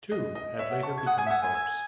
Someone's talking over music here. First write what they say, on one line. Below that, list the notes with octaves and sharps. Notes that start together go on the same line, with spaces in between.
Two had later become popes.
D#5
D#5
C#5 E5
F#5
A5 C#6
G#6
F#5 D#6 F#6
G#5
E5
F#5 E6 G#6
G#5
E6 G#6